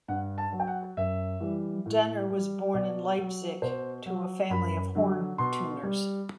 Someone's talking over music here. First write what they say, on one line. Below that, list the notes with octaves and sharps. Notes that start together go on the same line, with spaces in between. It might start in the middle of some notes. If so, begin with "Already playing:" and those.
Denner was born in Leipzig to a family of horn-tuners.
G2 F#5
A5
F#3
G5
F#5
F#2 E5
E3 G3
A2
G3
B2 D5
F#3
B2 C5
F#3
F#2 B5
D3 F#3
B2 C6
G3